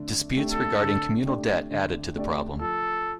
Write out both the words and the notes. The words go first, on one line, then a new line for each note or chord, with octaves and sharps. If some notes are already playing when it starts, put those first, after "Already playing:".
Disputes regarding communal debt added to the problem.
Already playing: D3 A3 D4
A3 D4 G4 D5
A4
D3
A3 D4 G4 D5
D3
A3 D4 G4 D5
F3 A4